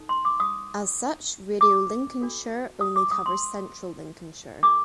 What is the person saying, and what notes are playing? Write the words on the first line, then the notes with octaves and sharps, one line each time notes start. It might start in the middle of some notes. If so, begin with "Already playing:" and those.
As such, Radio Lincolnshire only covers central Lincolnshire.
Already playing: D#4 A4
C6
D6
D#6
D6
D4 F#4 A4
D#6
D6
D#6
C6
D4 F#4 A4 D6